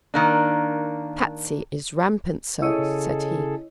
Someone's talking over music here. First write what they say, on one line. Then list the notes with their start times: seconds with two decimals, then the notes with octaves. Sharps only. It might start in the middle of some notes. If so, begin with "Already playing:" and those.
"Patsy is rampant, sir," said he.
0.14 D#3 A#3 D4
2.62 C#3 E4 G#4 A4 C#5 D#5